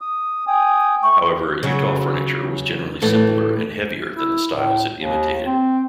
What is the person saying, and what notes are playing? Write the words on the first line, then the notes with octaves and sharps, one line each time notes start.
However, Utah furniture was generally simpler and heavier than the styles it imitated.
D#6
G5 G#5 D#6
A3 C#6
C#3 F#3
A2 E3 A3
E4
A2
D#2
C4